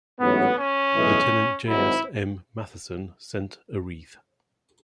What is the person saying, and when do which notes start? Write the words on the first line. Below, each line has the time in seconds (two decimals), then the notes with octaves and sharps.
Lieutenant J. S. M. Matheson sent a wreath.
0.19 A1 G#2 F#3 A3 B3
0.57 C#4
0.93 B1 A2 E3 G#3
1.66 G#1 G#2 F#3 E4